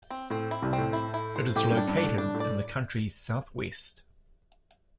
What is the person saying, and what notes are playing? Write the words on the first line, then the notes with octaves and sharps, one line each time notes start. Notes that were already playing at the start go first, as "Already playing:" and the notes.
It is located in the country's southwest.
C4
A2 C4
E4
C2 C3
C4
A2
E4
E4
C5
A2 G4
G2
D4
G2
D4
A2
G2 D4
A2
D5